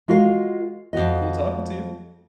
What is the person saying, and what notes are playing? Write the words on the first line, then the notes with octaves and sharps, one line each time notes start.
cool talking to you.
G#3 F4 F#4 A#4 F5
F2 D#3 F#4 D#5